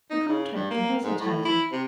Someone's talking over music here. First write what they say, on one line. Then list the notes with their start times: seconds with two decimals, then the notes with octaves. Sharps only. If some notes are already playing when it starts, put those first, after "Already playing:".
The contractor hesitated.
0.11 D#4
0.28 C#3
0.55 G2
0.71 A#3
1.04 G#2
1.19 A2
1.45 E4
1.72 C3